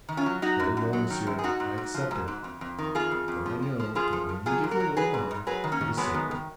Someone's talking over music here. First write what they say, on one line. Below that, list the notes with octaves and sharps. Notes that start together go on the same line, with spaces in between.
"Very well, monsieur, I accept it; for I know that when you give your word of honor, it is sacred."
D#3
C#4 F4
F#3
F#3 D#4 F#4
F#2
F#2
F#3
D#3
F#2
G#4
G#2 D#4 F#4
G#2
G#2
F3
G#2
G#2
F2
F2
D#3
F2 F4 G#4
F2
F2
F3
F3
F3
F3 F4 G#4
F3
F3
F#3 F4 G#4
G#2
F#4 A#4
F#3
F#3 G#4 B4
G#2
G#2
F#3 G#4 B4
D#3
A#3 C#4
D#3
F#3 G#3 B3
D#3
D#3